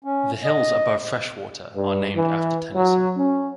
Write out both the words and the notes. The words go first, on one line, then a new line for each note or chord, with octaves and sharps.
The hills above Freshwater are named after Tennyson.
C#4
D#5
G2
E3
F#3
C#4